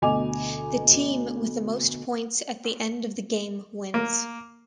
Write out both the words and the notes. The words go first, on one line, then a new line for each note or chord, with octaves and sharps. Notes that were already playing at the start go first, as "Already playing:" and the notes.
The team with the most points at the end of the game wins.
D2 B2 D#5 G#5 D6 F7
A#3